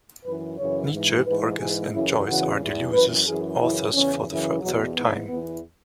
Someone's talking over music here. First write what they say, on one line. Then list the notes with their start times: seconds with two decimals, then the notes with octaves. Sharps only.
Nietzsche, Borges, and Joyce are Deleuze's authors for the third time.
0.24 F#2 E3 B4
0.58 F#2 C#3 E3 C#5
0.92 G#2 E3
1.25 G#2 E3 B4
1.58 G#2 E3 G#4
1.93 F#2 C#3 E3 E4
2.27 E2 C#3 E3 F#4
2.59 E2 E3
2.93 F#2 E3 B4
3.27 F#2 E3 G#4
3.60 F#2 C#3 E3 E4
3.94 E2 C#3 E3 C#4
4.28 F#2 C#3 E3
4.61 E2 B2 F#3
4.94 G#2 E3 B3
5.28 E2 E3 B3